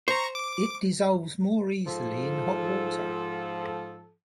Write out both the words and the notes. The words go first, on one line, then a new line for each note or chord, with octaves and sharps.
It dissolves more easily in hot water.
C5 A#5 C#6
D6
G#2 F3 A4